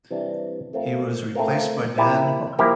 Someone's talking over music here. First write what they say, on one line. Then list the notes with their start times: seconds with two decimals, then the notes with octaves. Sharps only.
He was replaced by Dan Hooker.
0.11 C3 E3 G3 D4
0.73 A3 C4 F4 A#4
1.35 A3 C4 F4 A#4
1.97 F3 A#3 E4 G4 A#4
2.59 F3 A#3 E4 G4 A#4